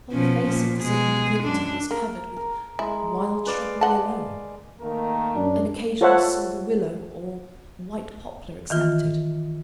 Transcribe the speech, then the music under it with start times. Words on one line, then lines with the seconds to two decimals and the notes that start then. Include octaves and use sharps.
The whole face of the southern declivity was covered with wild shrubbery alone--an occasional silver willow or white poplar excepted.
0.12 B2 F3 C#4
0.45 A#2
0.80 B2 G#3 G#4
1.44 F#2 D4
1.91 A#3 A#4
2.37 A#4
2.79 G#3 E4
3.46 B4 D5 F5
3.81 D#5 F#5 A5
4.81 D#3 A3 A#3 A#4
5.35 F#2 D4
6.01 F4 A4 C5 C#5 E5 F#5
8.70 D#3 E3 F4